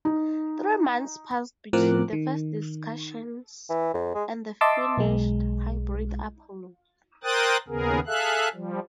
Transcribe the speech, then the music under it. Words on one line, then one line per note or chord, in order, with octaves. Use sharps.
Three months passed between the first discussions and the finished hybrid Apollo.
D#4
A2 F3 C4 A#4 D6 F#6
D#3
E3
F2
G#3
D#5 E5 A5 C6 D6 E6
B1 G#3
A#4 C5 G5 D#6 F#6 A6
D#2 C#3 B3 G#4 A#4
G#4 A4 E5 F5 F#6
F3 G3